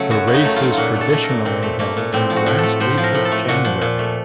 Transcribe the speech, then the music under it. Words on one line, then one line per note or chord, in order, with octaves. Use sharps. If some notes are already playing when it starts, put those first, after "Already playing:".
The race is traditionally held in the last week of January.
Already playing: C#3 F#3 A3 A4
F#2 F#4
C#3
D#4
A3
F#3 F4
A#2 F4 F#4
A3
A4
A3
A#4
A#2
A#2 C4
A3
A3 A#3
A#2
A2 C4
F3
F#4
A2
A3 A4
A2 C5
F3
A#4
A2
A4
A3
A#2 F#4
F3
A#2
A3